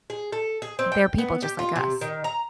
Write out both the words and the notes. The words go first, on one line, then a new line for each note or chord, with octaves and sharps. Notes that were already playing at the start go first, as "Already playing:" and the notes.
there're people just like us.
G#4
A4
G#4
C4
G5
B3
G4
F4
C3
D#3
A#5